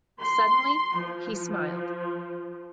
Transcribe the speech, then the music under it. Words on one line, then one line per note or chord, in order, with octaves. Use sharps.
Suddenly, he smiled.
C6
F3